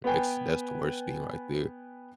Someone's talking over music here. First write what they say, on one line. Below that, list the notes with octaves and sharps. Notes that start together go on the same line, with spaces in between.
That's that's the worst thing right there.
B3 B4 G5 G#5